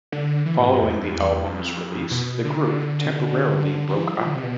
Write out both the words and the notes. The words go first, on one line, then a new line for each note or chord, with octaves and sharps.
Following the album's release, the group temporarily broke up.
D3
E3
A2
G2
E2
F2
F2
E2
F2
B2
D3
C3
D3
D3
E3
F3
G3
F3
D3
C3
B2